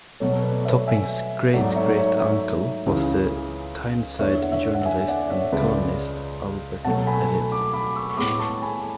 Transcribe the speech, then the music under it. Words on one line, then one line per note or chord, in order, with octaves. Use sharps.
Topping's great-great-uncle was the Tyneside journalist and columnist Albert Elliott.
B2 F#3 A3 C#5
B4 D5
C#5 E5
E5 G#5
G#2 F#3 A3 D5 F#5
C#5 E5
C#5
C#5 E5
C#2 C#3 E3
E2 D3 A3 C#5 E5
F#5
C#5 E5
F#5
E5 G#5
D5 F#5
C#5 E5
C#2 C#3 G#3 B4 D5
B2 F#3 A3 F#5 A5
G#5 B5
B5 D6
B5 D6
C#6 E6
C#6
A2 G#3 B3 B5 D6
A5 C#6
G#5 B5